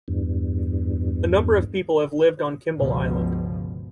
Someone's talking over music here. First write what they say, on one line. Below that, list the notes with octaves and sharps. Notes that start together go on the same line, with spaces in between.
A number of people have lived on Kimball Island.
E2 G2
G1 C#2 B2 F3